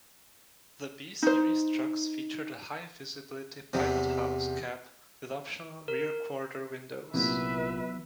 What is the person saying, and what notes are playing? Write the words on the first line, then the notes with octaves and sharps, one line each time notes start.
The B Series trucks featured a high-visibility "pilot-house" cab with optional rear quarter windows.
D#4 C5
E2 C3
A#4
C2 A#2 E3 F#3 B3 B4 E5